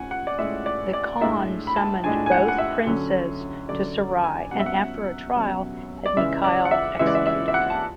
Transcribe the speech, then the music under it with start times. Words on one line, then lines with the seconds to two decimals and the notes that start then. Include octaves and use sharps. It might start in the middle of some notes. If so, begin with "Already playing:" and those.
The khan summoned both princes to Sarai and, after a trial, had Mikhail executed.
Already playing: A2 C#4 F#5 G#5
0.11 F#5
0.27 D5
0.38 A2 G#3 C#4 E5
0.66 D5
0.93 D5
1.21 A2 G#3 D4 E5
1.67 B5
1.76 A5
2.04 A2 G#3 D4 G#5
2.26 G#5
2.32 F#5
2.48 F#5
2.58 E5
2.86 D3 F#3 C#4
3.69 D3 F#3 C#4 D5
4.24 G#5
4.51 B2 F#3 C#4 F#5
4.59 E5
4.66 F#5
5.34 B2 F#3 C#4
6.06 D5
6.16 C#3 E3 G#3 E5
6.44 D5
6.65 F#5
6.71 E5
6.99 C#3 E3 G#3 E5
7.07 D5
7.15 E5
7.27 E5
7.48 E5
7.54 F#5
7.70 A5